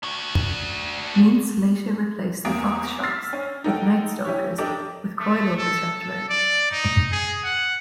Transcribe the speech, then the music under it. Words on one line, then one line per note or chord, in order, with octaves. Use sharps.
Meents later replaced the Fox shocks with Knight Stalkers with coil-overs wrapped around it.
D4 F#4
E2 C3 A#3 D#6 D7
C6 E6 F6 A6 B6 C7
C#4
D#4 A4 F#5 G5
C#4 E4 G4 C#5
D4 G4 A4 A#4 D5 D#5
A3
A4
A4
D5
D#4
G#4
F#5